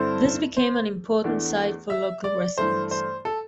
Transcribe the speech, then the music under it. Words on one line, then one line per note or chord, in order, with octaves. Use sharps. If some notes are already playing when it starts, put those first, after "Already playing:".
This became an important site for local residents.
Already playing: G2 D3 C4 E4 A4 C5
C5
E2 E3 A3 D4
E5
D5
G2 E3 A3 C5
C5
A4